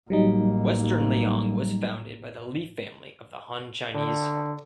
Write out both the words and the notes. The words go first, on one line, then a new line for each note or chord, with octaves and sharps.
Western Liang was founded by the Li family of the Han Chinese.
A1 F#3 G3 A#3 D#4
D3